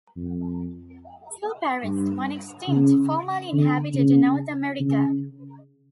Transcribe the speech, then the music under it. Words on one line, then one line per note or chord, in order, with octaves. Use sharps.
Two parrots, one extinct, formerly inhabited North America.
F2
G2
C#3
D3
C#3
C#3